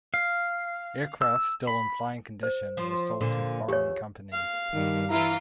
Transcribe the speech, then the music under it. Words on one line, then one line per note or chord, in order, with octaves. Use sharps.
Aircraft still in flying condition were sold to foreign companies.
F5
E6
B5
C5
F3
A#2 D3
E2 G4 C#5
F5
G2 D#3
E3 E4 F4 F5 A#5